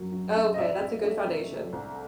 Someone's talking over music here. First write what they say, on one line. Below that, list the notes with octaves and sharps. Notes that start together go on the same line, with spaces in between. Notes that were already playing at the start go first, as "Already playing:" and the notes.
Okay, that's a good foundation.
Already playing: F#2 F#3
F#3
C#3
D#5
C2 D5 E5
C2
A3
C3
C3
C2